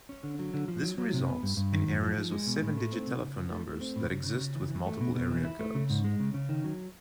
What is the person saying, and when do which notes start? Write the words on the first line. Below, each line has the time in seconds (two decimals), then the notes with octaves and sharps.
This results in areas with seven-digit telephone numbers that exist with multiple area codes.
0.09 C#4
0.23 D3
0.39 F#3
0.54 D3
0.68 F3
0.83 F#3
0.98 F#3
1.14 C3
1.28 B3
1.43 G2
1.57 G2
1.72 D#3
1.87 F#2
2.03 F3
2.17 F3
2.32 G#3
2.47 B2
2.62 A2
2.77 A3
2.92 C4
3.07 C3
3.22 C#3
3.36 F3
3.51 A3
3.66 A3
3.81 C4
3.96 A2
4.11 C#3
4.26 C#3
4.40 C#3
4.55 E3
4.70 E3
4.86 A3
5.00 B2
5.15 B2
5.30 E3
5.45 E4
5.59 A3
5.75 C#3
5.90 G#2
6.04 G#3
6.20 C#3
6.34 C#3
6.49 D#3
6.64 F#3